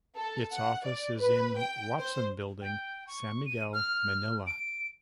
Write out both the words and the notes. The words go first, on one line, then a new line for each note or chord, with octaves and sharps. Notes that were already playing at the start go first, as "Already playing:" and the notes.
Its office is in Watson Building, San Miguel, Manila.
A4
F#5
D5
B4
G5
C5
G5
C#6
D#7
F6
D7